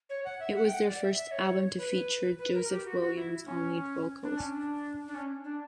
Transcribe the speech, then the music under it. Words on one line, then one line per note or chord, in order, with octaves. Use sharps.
It was their first album to feature Joseph Williams on lead vocals.
C#5
F#5
E5
F#5
G5
F#5
D5
E5
E5
C#5
B4
B4
A#4
G4
F#4
F#4
E4
C#4
D4
C#4
D4
D4
C#4
D4